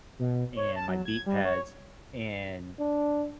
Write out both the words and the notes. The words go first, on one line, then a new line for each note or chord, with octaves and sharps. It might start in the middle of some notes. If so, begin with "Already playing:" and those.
and my beat pads, and
B2
C#5
A5
F#3
G#6
G3
C#5
D4